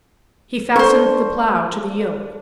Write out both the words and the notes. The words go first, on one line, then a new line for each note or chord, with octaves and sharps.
He fastened the plow to the yoke.
C4 D4 A4 B4 C5 C#6